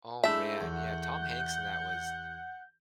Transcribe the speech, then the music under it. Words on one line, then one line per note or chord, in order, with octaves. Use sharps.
Oh, man, yeah, Tom Hanks in that was
G#3 A3 D4 E4 E5 G6
E2 F#5